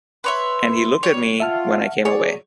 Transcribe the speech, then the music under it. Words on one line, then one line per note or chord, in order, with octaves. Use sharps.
And he looked at me when I came away!
B4 C#5 E5 C6
G3 C#5
F4 E5 F#5 A5 F6
F#3 G#4 C#5 D5